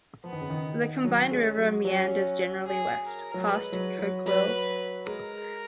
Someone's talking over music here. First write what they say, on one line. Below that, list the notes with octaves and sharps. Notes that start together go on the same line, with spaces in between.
The combined river meanders generally west, past Coquille.
F3 B3
D#3
C#3
D#3
F#3 C#4
G#3
F#3
F#3 C#4
G#4
A#4
F#3
G#3 B4
F#3
F#3
F#3 B4
G#3 A#4